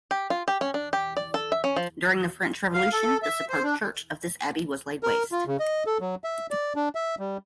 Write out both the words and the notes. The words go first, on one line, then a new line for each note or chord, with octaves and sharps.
During the French Revolution, the superb church of this abbey was laid waste.
G4
F4
G4
C#4
D4
G4
D5
A4
E5
C#4
F3
F5
A4
E5
C5
D4
A#4
F4
C#3
D#5
A4
F#3
E5
D5
D4
E5
G3